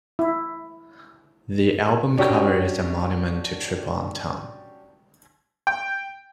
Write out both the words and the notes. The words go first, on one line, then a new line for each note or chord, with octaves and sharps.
The album cover is a monument to triple entendre.
E4
C#4 D4 F#4 G4
G5